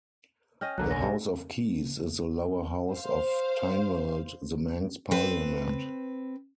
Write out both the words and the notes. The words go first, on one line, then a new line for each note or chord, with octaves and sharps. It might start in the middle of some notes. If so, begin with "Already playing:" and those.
The House of Keys is the lower house of Tynwald, the Manx parliament.
C#4 D#5 G5 F6 G6
B1 D3 A#4 A#5 F#6
C#4 G#5 A#6
C3
C5 F5
C4 B4